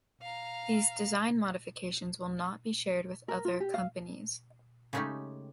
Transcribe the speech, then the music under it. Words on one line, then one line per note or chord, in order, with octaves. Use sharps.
These design modifications will not be shared with other companies.
F5 A#5
A#4
F4
G4
F5
C#3 G#3 A3 C#4 D#4 G4